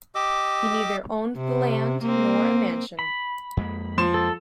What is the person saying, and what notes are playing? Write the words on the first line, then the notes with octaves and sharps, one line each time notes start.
He neither owned the land nor a mansion.
G4 D#5 D6 E6
C3
A#3 C4
B5
F2 G#3 A#3
F3 C6 E7
A4